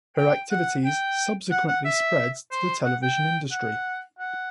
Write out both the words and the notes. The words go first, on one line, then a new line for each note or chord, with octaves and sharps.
Her activities subsequently spread to the television industry.
G5
F#5
G5
F#5
F#5
E5
C5
F#5
G5
F#5
F#5